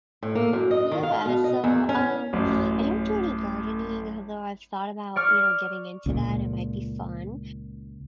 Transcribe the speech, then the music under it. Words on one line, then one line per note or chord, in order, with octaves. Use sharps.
Yeah, so, um, I don't do any gardening, although I've thought about, you know, getting into that, it might be fun.
A2
A#3
F#2
D#5
D#3
F5
B2
D#5
E2
C#4
A1 F#2
D5 C#6 F6
C#2 A#2